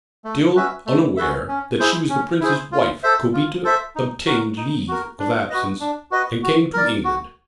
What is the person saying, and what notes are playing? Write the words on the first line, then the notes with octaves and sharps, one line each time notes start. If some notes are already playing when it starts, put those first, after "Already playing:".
Still unaware that she was the Prince's wife, Kobita obtained leave of absence and came to England.
A3
C#4 F#4 B4 E5
A3
C#4 F#4 B4 E5
C#4
E4 G#4 C5
C#4
E4 G#4 C5
F4
A4 C5 E5
F4
A4 C5 E5
D#4
F#4 A#4
D#4
F#4 A#4
D4
F#4 B4 D#5
D4
F#4 B4 D#5
F#4
A#4 D5
F#4